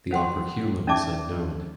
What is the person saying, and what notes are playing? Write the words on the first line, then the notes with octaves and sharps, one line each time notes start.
The operculum is unknown.
C5 F#5 G5 C6
C#4 D#4 D5 E5 A5 D6